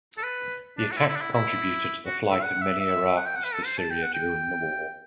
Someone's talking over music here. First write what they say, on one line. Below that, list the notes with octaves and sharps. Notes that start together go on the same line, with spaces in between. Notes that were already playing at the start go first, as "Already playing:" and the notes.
The attacks contributed to the flight of many Iraqis to Syria during the war.
A4
B4
D4
F#4
E4
E4
D4
E4
E4
F#4
E5
F#5
E5
E5
F#5
G5
F#5
B4
A4
C5
A5
G5
F#5
G5